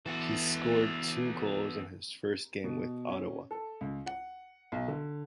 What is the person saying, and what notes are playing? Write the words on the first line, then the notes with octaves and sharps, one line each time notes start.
He scored two goals in his first game with Ottawa.
E3 B3 F#4 A4
B2
C#4
A4
C#2
F#5
B1
D3